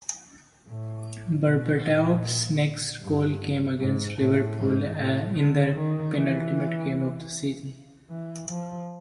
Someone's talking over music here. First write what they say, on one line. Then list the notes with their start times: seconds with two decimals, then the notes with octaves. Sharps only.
Berbatov's next goal came against Liverpool in the penultimate game of the season.
0.68 A2
1.46 B2
1.84 A#2
3.02 G2
3.80 G#2
4.19 A2
4.58 G#2
4.97 A2
5.36 D3
5.75 D#3
6.15 E3
8.10 E3
8.49 F3